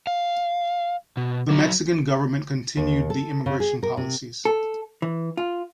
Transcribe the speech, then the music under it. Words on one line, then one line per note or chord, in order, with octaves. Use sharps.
The Mexican government continued the immigration policies.
F5
B2
F#3 D#4
D#2
A4
C#3
G#4
A#4
C3
A4
E3
F4